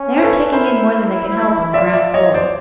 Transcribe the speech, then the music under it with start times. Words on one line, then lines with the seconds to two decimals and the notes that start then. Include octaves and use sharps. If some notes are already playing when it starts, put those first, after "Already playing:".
They aren't taking in more than they can help on the ground-floor.'
Already playing: C#4
0.17 C5
0.22 A4 B4
0.53 E4 A#4 C5
1.73 F4 D5 E5
1.93 D5 E5
2.14 C#5 D#5
2.34 C5 D5